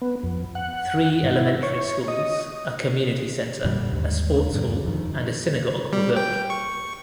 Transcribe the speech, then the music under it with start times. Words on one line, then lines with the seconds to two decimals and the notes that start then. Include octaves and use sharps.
Three elementary schools, a community center, a sports hall, and a synagogue were built.
0.02 B3
0.23 F2
0.55 F#5
1.23 G#2
1.36 E4
1.63 C#5
2.08 D#5
3.64 F2 A#2 D3 G3
3.92 D#2 G#2
4.53 E2 G2 B2 D3
4.84 F2 D#3
5.93 G3
6.16 G5
6.50 C#6